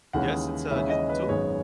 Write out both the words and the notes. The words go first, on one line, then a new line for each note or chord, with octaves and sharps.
Yes, it's, uh, useful too.
D#2 C#3 E3 G#3 C#4 F#5
D#2 C#3 E3 G#3 C#4 E5
D#5
B4
G#1 F#2 D#3 G#3 B3 C#5